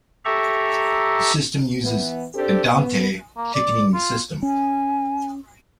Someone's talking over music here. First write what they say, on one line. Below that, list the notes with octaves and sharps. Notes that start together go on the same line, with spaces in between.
The system uses the "Andante" ticketing system.
G4 A4 E5 A#5 C#6
E3 B3
C4 D4 G4 A4
B3
A#3
D5
F4
C#4 G#5